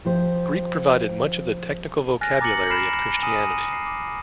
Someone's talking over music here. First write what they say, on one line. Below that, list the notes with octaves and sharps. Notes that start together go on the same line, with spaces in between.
Greek provided much of the technical vocabulary of Christianity.
F3 G4 C5
G#5 F6 F#6 A6 A#6
A#5 D6 A6 A#6 C#7 F#7
B5 F6 B6 C7 D7 E7
G#5 D#6 D#7
C7
D6